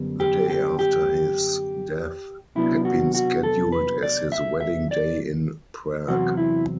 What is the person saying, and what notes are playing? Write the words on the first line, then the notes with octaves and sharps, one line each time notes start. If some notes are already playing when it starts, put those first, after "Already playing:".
The day after his death had been scheduled as his wedding day in Prague.
Already playing: F#2 D3 G3 B3 D4
G4
G4
G4
C3 F#3 B3 D4 E4
F#4
F#4
A4
B4
D5
E5
E5
D5
E2 C3 F#3 C4 F#4
E4